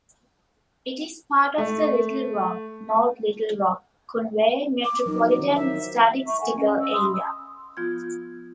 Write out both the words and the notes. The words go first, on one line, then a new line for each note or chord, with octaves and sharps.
It is part of the Little Rock-North Little Rock-Conway Metropolitan Statistical Area.
A3
D6
F3 F#3 D#4 A#4
D#3
C5 E5
E5 A#5 C#6
A4 F#5 G#5
C#4 D#5
E6
B5 C6 D#6 E6
E6
F3 B3 F4 G6 G#6